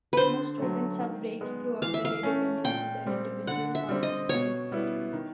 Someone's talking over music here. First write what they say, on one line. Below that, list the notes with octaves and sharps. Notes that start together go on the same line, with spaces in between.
Most students have breaks throughout the day depending on their individual, college-style schedule.
D3 B4 C5
F#3 A3
D#3
G#3 B3
E3 F5
E5
F5
A3 C#4
A#2 G5
G3 C4
D3 F#5
E5
G3 C4
D#5
B2 C#5
G3 B3 E4
D#3